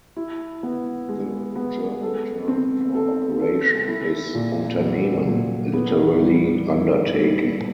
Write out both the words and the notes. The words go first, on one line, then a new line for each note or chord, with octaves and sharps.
The German term for "Operation" is "Unternehmen", literally "undertaking".
E4
B3
G#3
B3
A4
C4
A4
A4
E4
A#2
F#3
A#2
B3
G3
E4
G3